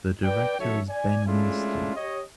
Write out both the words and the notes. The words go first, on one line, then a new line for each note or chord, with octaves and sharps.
The director is Ben Winston.
B4 D5 G5
A1 D#3 F#3 A4 C#5 E5
D5 G#5
G#3 A3 C#4 D4 E4 F4
G4 C#5 D#5